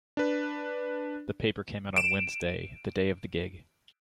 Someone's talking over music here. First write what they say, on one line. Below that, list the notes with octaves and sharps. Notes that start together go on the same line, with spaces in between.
The paper came out on Wednesday, the day of the gig.
D4 B4
D7 E7